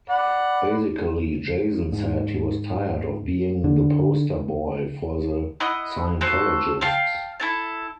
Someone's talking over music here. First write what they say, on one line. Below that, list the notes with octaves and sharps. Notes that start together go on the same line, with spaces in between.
Basically, Jason said he was tired of being the poster boy for the Scientologists.
D5 F#5 B5
G#2
D3
E4 D#5 F#5 D#6
F#4 A4 C5
F5 G5 A5 F6
E4 A4 A5